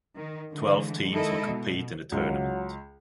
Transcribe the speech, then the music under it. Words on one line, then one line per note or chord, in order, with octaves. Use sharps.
Twelve teams will compete in the tournament.
D#3
D3 E3 G#3
D#3 G#3 D#4 E4 A4 D#5
B2
C#2 F#3